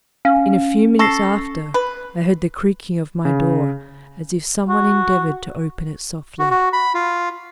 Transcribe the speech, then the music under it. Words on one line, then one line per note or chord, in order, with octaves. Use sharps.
In a few minutes after, I heard the creaking of my door, as if some one endeavoured to open it softly.
C#4 F5
A4 C#6 A#6 C7
B4
C#3
F#4
F#4
F#4
B5
F4